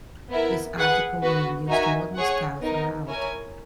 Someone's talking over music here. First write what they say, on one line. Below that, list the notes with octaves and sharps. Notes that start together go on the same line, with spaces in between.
This article will use the modern style throughout.
B3 E4 A#4 E5
G#4 B4 F#5
B3 F#4 B4
D#4 F#4 A#4 E5 G#5
G#4 C#5 F#5
B3 D#4 A#4
E4 A#4 C#5 G#5